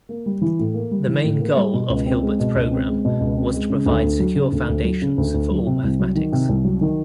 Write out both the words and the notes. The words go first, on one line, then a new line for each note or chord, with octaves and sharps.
The main goal of Hilbert's program was to provide secure foundations for all mathematics.
A#3
G3
E3
A2
A#3
G3
E3
A2
A#3
G3
B2
C#2
C4
G#3
B2
C#2
C4
G#3
B2
C#2
C4
G#3
C#3
D2
D2
F#3
C#3
D2
D2
F#3
C#3
D2
D2
F#3
C3
C2
F#3
D#3
C3
C2
F#3
D#3